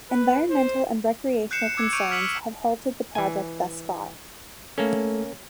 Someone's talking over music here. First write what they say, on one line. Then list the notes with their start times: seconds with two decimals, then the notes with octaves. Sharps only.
Environmental and recreational concerns have halted the project thus far.
0.10 B4
0.50 C5
1.51 F#6 G6 C7 C#7 E7
1.77 D6 E6 G#6 C#7
1.93 C#6 G6 D7 D#7 F7
2.11 E6 F6 B6 C#7 F#7
3.15 E3 G#5
4.78 A3 A#3 C#4 A4